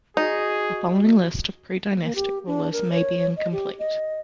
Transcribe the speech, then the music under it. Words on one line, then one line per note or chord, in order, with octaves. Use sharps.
The following list of predynastic rulers may be incomplete.
D#4 F#4 G#4
A#3
G4
D4
A#4
C#5
D#5
G4
D#5